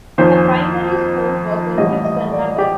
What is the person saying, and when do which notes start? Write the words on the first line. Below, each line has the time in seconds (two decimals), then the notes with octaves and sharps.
Her primary school was in Brixton, London.
0.18 F2 D#3 A#3 C5
1.78 A1 A2 G3 A#3 D#5
2.05 D#5
2.32 D5
2.58 G4